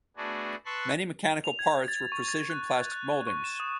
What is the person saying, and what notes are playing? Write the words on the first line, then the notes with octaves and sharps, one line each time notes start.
Many mechanical parts were precision plastic moldings.
A3 B3 D4 F#4 G#4
B4 A5 C6 C#6 E6 F#6
F7
G#6
A6
C#6
A6
F#6
F#6
C#6
E7
D#6